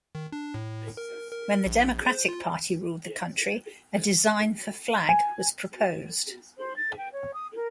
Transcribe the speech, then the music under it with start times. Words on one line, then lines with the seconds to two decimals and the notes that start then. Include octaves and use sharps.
When the Democratic Party ruled the country, a design for flag was proposed.
0.15 D#3
0.32 D4
0.54 A2
0.97 A#4
1.32 A#4
1.66 A#1
2.05 C5
2.28 F4
5.09 G#5
6.58 C5
6.76 A6
6.97 G5
7.13 C#5
7.34 D#6
7.56 A#4